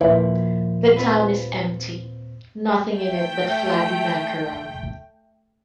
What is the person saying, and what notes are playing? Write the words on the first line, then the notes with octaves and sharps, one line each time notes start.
The town is empty, nothing in it but flabby mackerel.
D#2 A#2 E3 F3 A#3 E4
C4 F4 B4
A3 G5